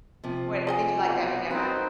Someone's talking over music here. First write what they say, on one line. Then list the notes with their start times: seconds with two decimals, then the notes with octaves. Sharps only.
What did you like Dumb and Dumber?
0.24 C3 F3
0.67 G#4 D#5 G#5
1.06 B1
1.51 C4 D#4 F#4 A#4 B4